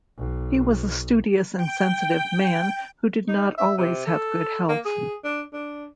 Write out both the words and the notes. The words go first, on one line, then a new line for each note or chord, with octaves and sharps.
He was a studious and sensitive man who did not always have good health.
B1
G5
D#4
E5
C3
A4
A#3
G#4
D4
D4